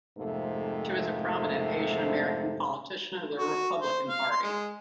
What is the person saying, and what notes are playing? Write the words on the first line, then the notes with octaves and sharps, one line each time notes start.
She was a prominent Asian-American politician of the Republican Party.
F2 G#2 C3 A3 A#3
F#4
C5
F5
C6
G#3